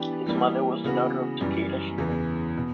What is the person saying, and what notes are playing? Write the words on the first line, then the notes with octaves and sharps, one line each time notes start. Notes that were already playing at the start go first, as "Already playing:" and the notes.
His mother was the daughter of Takeda Shingen.
Already playing: E3 B3 D4 G4 B4
E3 G3 A#3
C#3 E3 B3 F#4
F#2 E3 G3
E2 C#3 E3
B2